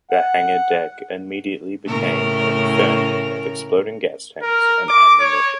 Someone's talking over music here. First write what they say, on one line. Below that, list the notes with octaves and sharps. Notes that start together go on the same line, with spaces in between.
The hangar deck immediately became an inferno of exploding gas tanks and ammunition.
F#5
A2 C#3 A#4
A#4
D6
C#5